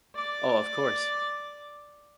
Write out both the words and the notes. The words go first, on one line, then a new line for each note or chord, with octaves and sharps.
Oh, of course.
D5 D6